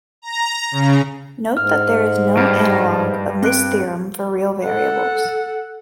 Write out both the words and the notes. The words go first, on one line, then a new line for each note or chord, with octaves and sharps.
Note that there is no analogue of this theorem for real variables.
A#5
C#3
G#2 F6
G2 F6
C4 F#6 D7
A4 F#5